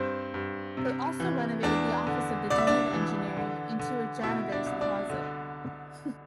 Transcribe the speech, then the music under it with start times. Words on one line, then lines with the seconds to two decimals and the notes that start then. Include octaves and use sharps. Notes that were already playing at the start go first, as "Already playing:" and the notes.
They also renovated the office of the dean of engineering into a janitor's closet.
Already playing: G2 C4 C5
0.34 G2
0.77 C3
1.20 E3
1.63 E2 D4 D5
2.07 D3
2.50 C2 D5
2.58 E5
2.67 D4 D5
2.93 E3
3.37 D3
3.80 D3
4.23 B2 E4 E5
4.52 D4 D5
4.66 C2
4.81 D4 D5
5.10 D3